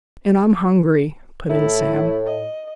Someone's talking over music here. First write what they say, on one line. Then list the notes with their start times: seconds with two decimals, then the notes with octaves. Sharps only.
"And I'm hungry," put in Sam.
1.49 A2 E4 A4
2.26 D#5